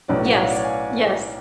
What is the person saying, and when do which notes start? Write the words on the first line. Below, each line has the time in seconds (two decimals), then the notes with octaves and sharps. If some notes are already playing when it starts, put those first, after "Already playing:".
Yes, yes.
0.08 B1 A2 F#3 C#4 B4 D5
0.26 F#5
0.32 C#5 F5
0.49 D5
0.56 C#5 F5
0.64 G#5